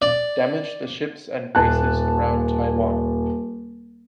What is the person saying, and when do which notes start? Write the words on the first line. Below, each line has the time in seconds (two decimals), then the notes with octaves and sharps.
Damage to ships and bases around Taiwan.
0.02 D5
1.55 D#1 A5 F#6